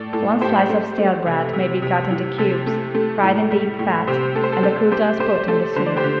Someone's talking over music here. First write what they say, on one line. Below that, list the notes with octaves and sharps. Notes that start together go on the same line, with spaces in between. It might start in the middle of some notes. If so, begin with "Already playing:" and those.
One slice of stale bread may be cut into cubes, fried in deep fat, and the croutons put in the soup.
Already playing: A2 A4 D5
A2 A4
A2 G4 C5
A3
A3
C3
C3
C3
E3
C3 A4
A3
A3
A2
G3
A2
C3 G4 C5
A3 A4
C5
A4
A3 A4
A3 G4 C5
A3 G4 C5
A3 A4
D3 C5
D5
G4 C5
D3